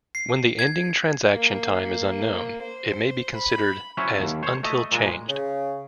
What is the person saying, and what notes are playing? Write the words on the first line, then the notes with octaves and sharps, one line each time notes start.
When the ending transaction time is unknown, it may be considered as "Until Changed".
C7
G#6
A#3
C5
B5
F#3 C#4 E4 C5 C#5
D#2
C5 C#5
A3 D#5 E5
A#2 G#3
C#3